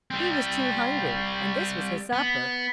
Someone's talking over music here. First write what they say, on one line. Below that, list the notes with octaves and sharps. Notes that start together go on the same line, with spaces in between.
He was too hungry, and this was his supper.
G3 C4
B3